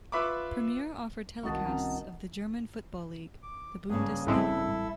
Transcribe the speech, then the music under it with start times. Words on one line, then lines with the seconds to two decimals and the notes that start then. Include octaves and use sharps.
Premiere offered telecasts of the German football league - the Bundesliga.
0.12 F4 B4 E5 B5 C#6 D6
1.43 C2 D#3 F#4 D#5 A5 A#5
1.66 C4 C#4 A#5
3.43 D6
3.89 G2 C#3 A#3 G#4
4.27 A1 A2 G3 G#3 C4 E4 A4 E5